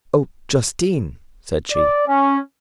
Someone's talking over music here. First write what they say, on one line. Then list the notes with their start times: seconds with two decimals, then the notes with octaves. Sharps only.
"Oh, Justine!" said she.
1.72 D5
2.08 C#4